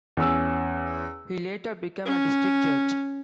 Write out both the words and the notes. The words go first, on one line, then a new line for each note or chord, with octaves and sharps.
He later became a district judge.
E2 C#4 E6
C#4